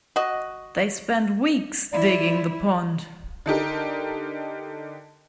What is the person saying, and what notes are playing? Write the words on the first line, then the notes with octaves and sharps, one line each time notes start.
They spent weeks digging the pond.
F#4 D#5
E4 D5
D3 D#4 G4 A#4